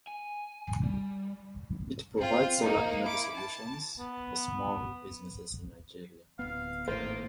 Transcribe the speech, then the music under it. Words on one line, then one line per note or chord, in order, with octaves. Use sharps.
It provides solar energy solutions for small businesses in Nigeria.
G#5
G3
C4 F4
A#3 D#4
E4 D6
A5
B3
D1 F2 B3 F5
G#1 A2 A#3 F4 C5